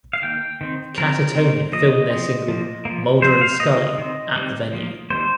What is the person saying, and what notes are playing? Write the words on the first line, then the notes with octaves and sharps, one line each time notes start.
Catatonia filmed their single "Mulder and Scully" at the venue.
F5
D#3 A#3 G5
D#3 C4
F3 C4 A#4
D#3 G3 C4
F3 A#3 D#5
F3 C4
F3 A#3
F3 A#3
F3 C4 C5
F5
F3 A#3 D#5
D#3 C4
D#3 G3 C4
F3 A#3
D#3 G3 A#3 C5